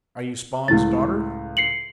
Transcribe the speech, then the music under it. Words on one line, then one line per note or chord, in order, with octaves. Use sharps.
"Are you Spawn's daughter?"
C#2 A2 E4 A6
C7 C#7 F#7